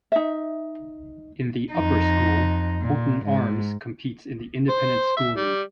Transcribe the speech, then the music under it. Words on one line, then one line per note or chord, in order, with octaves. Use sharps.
In the Upper School, Holton-Arms competes in the Independent School League.
D#4 E5
F2 D#4
A#2
G#2
C5
E5
G3